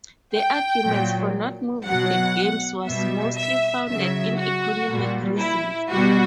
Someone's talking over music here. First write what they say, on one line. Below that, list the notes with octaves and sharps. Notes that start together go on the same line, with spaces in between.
The arguments for not moving the games was mostly founded in economic reasons.
G5
A#2 F#3
B2 F#3 F#5
B2 G3 E5
E5
C#3 F#3 E5
F#4
A#2 G3
E4
B2 G3 F#4